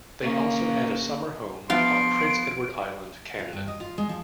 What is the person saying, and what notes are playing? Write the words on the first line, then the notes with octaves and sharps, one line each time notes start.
They also had a summer home on Prince Edward Island, Canada.
C#3 A#3
F3 B3 F4 C6 D7
F4
G2
D#5
F4
G#3
F3